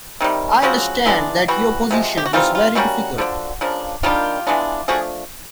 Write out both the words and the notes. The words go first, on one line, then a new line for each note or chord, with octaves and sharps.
I understand that your position was very difficult.
C3 D#3 G3
C#3 F3 G#3 C4 F#4
E3 G#3 B3 D4
E3 G3 B3 F#4
C3 F3 G#3
G4
F#4
E3 G3 C4 D#4 F4
F4
E3 G3 A#3 C#4 F#4
D3 F3 A#3 D4
C#3 F3 A#3 D4
D#3 G3 A#3 D4 F4 G4
E3 G#3 B3 D4
F3 A3 D4 F#4 G#4